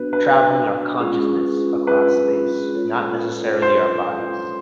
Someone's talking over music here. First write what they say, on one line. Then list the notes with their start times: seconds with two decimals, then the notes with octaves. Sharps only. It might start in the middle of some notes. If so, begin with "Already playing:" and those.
traveling our consciousness across space, not necessarily our bodies.
Already playing: B3 D4 F#4 B4
0.13 B4
0.99 G#3 C#4 F4 G#4
1.87 B4
2.74 G#3 C#4 F4 A4 C#5
3.62 C5